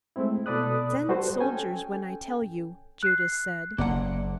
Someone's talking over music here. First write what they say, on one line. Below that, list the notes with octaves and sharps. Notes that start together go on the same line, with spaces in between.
"Send soldiers when I tell you," Judas said.
G#3 A3 C4 E4
B2 A4 D5 B5 D#6 F#6
G3 F#4 A4 B4 C5
C#4 A4 G5 G#5
F#6 C7
F#1 A#3 D5 F#5